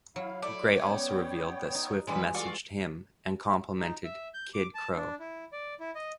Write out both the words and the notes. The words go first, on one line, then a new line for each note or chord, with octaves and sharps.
Gray also revealed that Swift messaged him and complimented "Kid Krow".
F#3 E4 F5
A3 E4 D5
B3 C#4 C#5 G5
D#4
F#2 B2 E3 G3 G#3 B4
F4 F#4 A4 D5 C#6
D#4
E5
G6
D6
A5
D4
E4
D5
E4
D#5